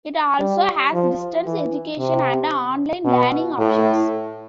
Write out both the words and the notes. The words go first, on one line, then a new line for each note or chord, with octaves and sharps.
It also has distance education and online learning options.
G3
F3
E3
C3
B2
A2